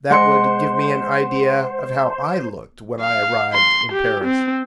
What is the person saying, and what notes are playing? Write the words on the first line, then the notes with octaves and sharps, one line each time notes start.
That would give me an idea of how I looked when I arrived in Paris.
G#3 C5 F#5 C6 C#7
F5
C6
G4
C4